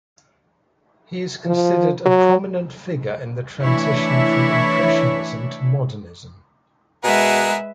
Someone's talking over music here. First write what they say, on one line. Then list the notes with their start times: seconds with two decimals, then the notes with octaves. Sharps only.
He is considered a prominent figure in the transition from Impressionism to Modernism.
1.45 F3
2.06 F#3
3.62 E3 A3 D4 E4 C#5 E5
7.04 B2 G#3 G#4 A#4 B4 E5 F#5